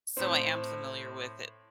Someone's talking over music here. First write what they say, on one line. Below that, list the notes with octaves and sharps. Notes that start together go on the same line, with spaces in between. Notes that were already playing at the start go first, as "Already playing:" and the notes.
So I am familiar with it
A2 C4